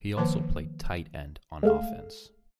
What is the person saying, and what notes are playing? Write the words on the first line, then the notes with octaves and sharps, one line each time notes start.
He also played tight end on offense.
D#3 F3 A#3 B4 C5 A5
G#3 A3 F5